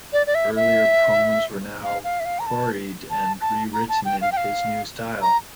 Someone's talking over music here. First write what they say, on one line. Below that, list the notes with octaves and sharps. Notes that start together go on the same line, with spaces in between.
Earlier poems were now 'quarried' and rewritten in his new style.
D5
D5
E5
E5
F5
F5
E5
F5
A#5
A5
A5
A5
A#5
A5
G5
F5
G5
F5
A#5